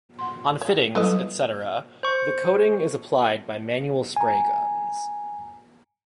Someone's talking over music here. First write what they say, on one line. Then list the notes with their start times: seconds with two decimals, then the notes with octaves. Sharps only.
On fittings, etc., the coating is applied by manual spray guns.
0.19 F#5 C6
0.61 C#5
0.95 F#3 G3 E4 A4 B4 D#5
2.03 C5 C#6
4.16 G#5 A#5